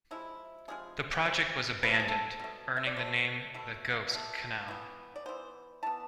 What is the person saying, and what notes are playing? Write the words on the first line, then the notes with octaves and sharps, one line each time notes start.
The project was abandoned, earning it the name "The Ghost Canal".
C3 F3 G#3 E4
C3 F3 G#3 G#4
C3 F3 G#3
C3 F3 B4
A4
G#4
A4
B2 A3
E5
D5
B2 A3 C5
B2 A3
B2 A3
E3 B3
D5
E3 B3 C5
E3 B3 A5